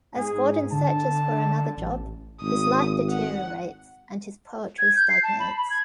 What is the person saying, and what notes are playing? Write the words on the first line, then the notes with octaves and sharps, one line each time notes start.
As Gordon searches for another job, his life deteriorates, and his poetry stagnates.
G#2 G#4
D3 A5
A1
G#1 D#6
F#5
G#6
G6
C7
A5
B5
B5
G#6